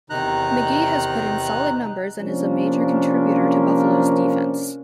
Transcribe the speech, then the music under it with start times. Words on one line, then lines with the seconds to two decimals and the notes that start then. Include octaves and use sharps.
McGee has put in solid numbers and is a major contributor to Buffalo's defense.
0.10 E2 C3 D#3 D#4 A#5 F#6
2.18 C3 F3 A#3 C#4 D4 A#4